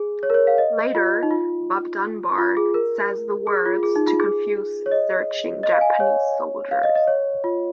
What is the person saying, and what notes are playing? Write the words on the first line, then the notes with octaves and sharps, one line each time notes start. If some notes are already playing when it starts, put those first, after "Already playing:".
Later, Bob Dunbar says the words to confuse searching Japanese soldiers.
Already playing: G#4
C#5
A#4
C#5
F5
D#5
F4
D#4
F4
F4
G#4
A#4
G#4
F4
G#4
D#4
F4
G#4
C#5
D#5
D#5
F5
G#5
C#5
F5
D#5
D#5
C#5
F4